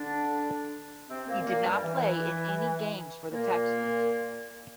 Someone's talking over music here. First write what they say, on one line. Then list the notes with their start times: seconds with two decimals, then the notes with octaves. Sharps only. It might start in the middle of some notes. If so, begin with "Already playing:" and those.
He did not play in any games for the Texans.
Already playing: D3 D4
1.09 C3 C4
1.27 A#2 A#3
1.46 A#2 A#3
1.64 G2 G3
1.83 E3
3.32 A#2 A#3